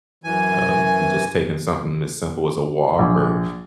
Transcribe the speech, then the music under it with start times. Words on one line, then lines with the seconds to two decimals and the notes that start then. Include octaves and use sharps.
um, from just taking something as simple as a walk or
0.24 F#2 E3 G#5
2.99 A#1